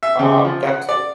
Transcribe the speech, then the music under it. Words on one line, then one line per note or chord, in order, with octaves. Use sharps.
Um, that's the
E5
C#3
F3
F#5
D5